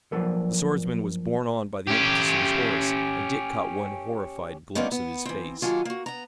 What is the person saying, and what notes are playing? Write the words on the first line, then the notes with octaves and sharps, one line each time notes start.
The swordsman was borne on by the impetus of his horse, and Dick caught one horrified glimpse of his face.
F3 F#3 A#3 D4 A4 B4
C#4 G4
G3 G#3 A#3 B3 C#4 D#4
B3
E3 C4
D#2 F#3 F4 G4 A4 G#5
A#3 F#4
B3 A#5